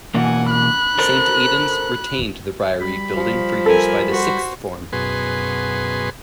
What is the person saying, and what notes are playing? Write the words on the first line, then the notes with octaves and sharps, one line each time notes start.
Saint Aidan's retained the Briery building for use by the sixth form.
B2 E3 A#3 F#5 G#5
B5 F#6
A4 A#4 C5
G3 B5
F3
A4 A#4 G#5
F#4 C5
F#2 B2 G#4 B4 C6